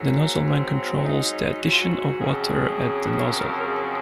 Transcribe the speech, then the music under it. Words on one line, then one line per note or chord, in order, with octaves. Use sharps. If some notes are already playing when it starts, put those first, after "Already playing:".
The nozzleman controls the addition of water at the nozzle.
Already playing: G#2 F#3 A#3
C4
D#4
F#4
F4
F#4
F#4
F2 C#3 F#3 G#4
A#4
A#4
G#4